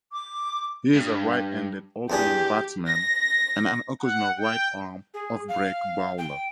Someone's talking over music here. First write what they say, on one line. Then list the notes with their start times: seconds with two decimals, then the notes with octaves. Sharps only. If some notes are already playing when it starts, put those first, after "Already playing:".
He is a right-handed opening batsman and an occasional right arm off-break bowler.
0.12 D6
0.95 G2
2.10 E2 D4 G4 G#4
2.86 A#6
4.01 F#5
4.37 G5
5.14 G#4
5.48 F5
6.18 G5